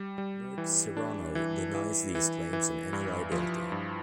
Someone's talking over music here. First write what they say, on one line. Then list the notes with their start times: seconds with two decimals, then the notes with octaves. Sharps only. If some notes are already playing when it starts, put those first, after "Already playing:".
Merck Serono denies these claims and any liability.
Already playing: G3
0.18 G3
0.58 E3
0.97 D4
1.35 E3
1.75 E3
2.15 E3
2.53 E3
2.93 G2
3.32 F3
3.72 G2